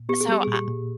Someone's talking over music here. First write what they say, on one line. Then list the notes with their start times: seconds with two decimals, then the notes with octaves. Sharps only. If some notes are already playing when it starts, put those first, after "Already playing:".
So, I
Already playing: A#2
0.09 B3 G4
0.21 G#4
0.29 G3 G4
0.43 A#2 G#4
0.54 G4
0.68 A#2